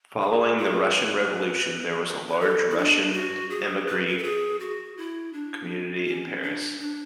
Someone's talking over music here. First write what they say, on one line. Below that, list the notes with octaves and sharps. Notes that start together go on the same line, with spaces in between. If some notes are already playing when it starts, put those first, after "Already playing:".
Following the Russian Revolution there was a large Russian emigre community in Paris.
G#4
G#4
B4
B4
A4
E4
D4
F#4
G#4
B4
B4
A4
G#4
F#4
E4
D4
C#4
D4
D4